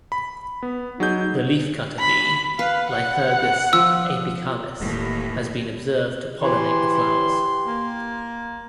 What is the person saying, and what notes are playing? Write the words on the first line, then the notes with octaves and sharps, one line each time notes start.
The leafcutter bee "Lithurgus apicalis" has been observed to pollinate the flowers.
B5
B3
F#3 D#4 G#4 G6
B5
B4 F5
F#5
F3 E6
D#1 D#2 A2 E3
E3 G4 C6
A#3